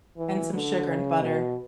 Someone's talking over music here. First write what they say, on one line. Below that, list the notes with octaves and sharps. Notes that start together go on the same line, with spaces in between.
and some sugar and butter,
E3
D3
C#3
B2